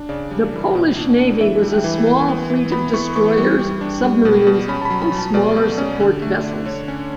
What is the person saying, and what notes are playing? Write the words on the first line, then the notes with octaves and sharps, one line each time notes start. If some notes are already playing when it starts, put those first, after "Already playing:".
The Polish Navy was a small fleet of destroyers, submarines and smaller support vessels.
Already playing: D4
C#3 D5
G3
E3
B2
D4
D4
E3 E5
G3
G5
E3
E3
B3
E3
B3 B5
E3 C#6
E3 C#6
G3
G3
D4
G3
B2
B2
C#4 B5
A5
F#3 B5
B5
F#3
A5
B2 D5
B2
C#4
D3
A3
D4
D3 C#5
C#4